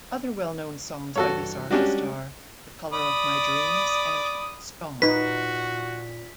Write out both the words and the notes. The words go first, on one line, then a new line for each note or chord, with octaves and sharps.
Other well-known songs by this artist are "The Colour of My Dreams" and "Stomp".
G2 E3 F#4 A4 C#5
G3 G#3 C#4 D4 F#4 G4
D5 B5 D#6
A#2 D#4 F#4 B4 B6